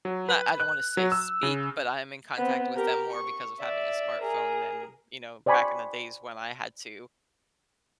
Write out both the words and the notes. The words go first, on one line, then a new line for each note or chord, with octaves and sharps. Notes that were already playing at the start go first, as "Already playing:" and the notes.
not I don't wanna say speak, but I am in contact with them more because of having a smartphone than, you know, back in the days when I had to,
F#3
B4
F#6
F#3
E6
C#3
B3 C4
G4 A#4
C#6
D5 E5
G#4 A#4
C5 D5 G5 G#5 B5 C#6